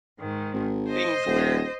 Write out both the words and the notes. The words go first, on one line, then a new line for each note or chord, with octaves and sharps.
things where
G#2 D#3
G#1
C5 D#5
D#1